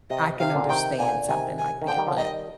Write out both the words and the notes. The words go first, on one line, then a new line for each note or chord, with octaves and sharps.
I can understand something like that, but
C3 D#5
C3 F5
A#2 D3
C3 D#3 G5
A#2 D3 G#5
C3 D#3 G#5
G#5
D#3
D3 F3 G5
D#3 G3
D3 F3
D#3 G3 D#5